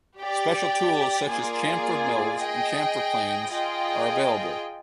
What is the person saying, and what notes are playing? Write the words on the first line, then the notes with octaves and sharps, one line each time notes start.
Special tools such as chamfer mills and chamfer planes are available.
G4 D5 G5
A#3 F4 G#4 D5 G#5
G#4 D#5 G5
F4 G#4 D#5 G5